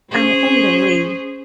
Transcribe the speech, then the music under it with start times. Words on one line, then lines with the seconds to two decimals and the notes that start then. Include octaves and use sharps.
I'm on the way.
0.11 C#4 G#4 C5